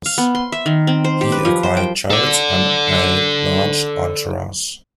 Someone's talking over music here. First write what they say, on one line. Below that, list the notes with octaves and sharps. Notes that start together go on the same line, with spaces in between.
He acquired chariots and a large entourage.
F5
B3
C6
E5
D#3
C4
C5
G4
B4
F3
C5
G5
A4 D5